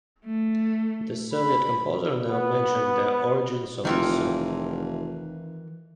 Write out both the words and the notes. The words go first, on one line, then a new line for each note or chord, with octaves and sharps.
The Soviet composer never mentioned the origins of his song.
A3
B5
B3
F1 D#3 E3 F4